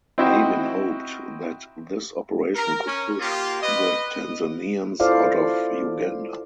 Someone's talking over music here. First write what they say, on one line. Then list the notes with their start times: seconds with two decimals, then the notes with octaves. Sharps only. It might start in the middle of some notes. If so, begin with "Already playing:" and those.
Amin hoped that this operation could push the Tanzanians out of Uganda.
0.18 C4 D#4 E4 F#4 C5 G5
2.56 A#4
2.87 C#4
3.21 A#3 F4 G4
3.61 B4 D#5
5.00 E4 F4 A4 C5 D5 F5